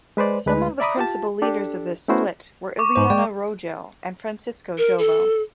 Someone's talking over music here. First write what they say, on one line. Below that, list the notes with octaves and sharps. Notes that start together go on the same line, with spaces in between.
Some of the principal leaders of this split were Ileana Rogel and Francisco Jovel.
G#3 B4 C5 D5
D2 G#3 B4
D5 E5 A#5 B5 D6 D#6
F4 G4 A5
D4 G4 A4
A3 B3 C#4 E4 F#4 C5
C#6 D6
G#2 C5
G#3 D5 G5
A#4
A4